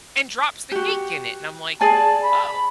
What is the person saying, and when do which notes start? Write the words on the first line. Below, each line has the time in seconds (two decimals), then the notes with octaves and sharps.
and drops the cake in it, and I'm, like, "Oh"
0.71 F#4 G4
1.81 G#4 D5 G#5 A5
2.23 B5